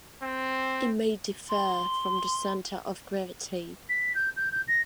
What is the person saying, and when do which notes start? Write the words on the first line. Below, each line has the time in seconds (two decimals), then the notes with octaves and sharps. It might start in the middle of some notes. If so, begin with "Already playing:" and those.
It may differ from the centre of gravity.
0.22 C4
1.49 C6
3.89 B6
4.15 G6
4.36 G6
4.51 G6
4.68 A#6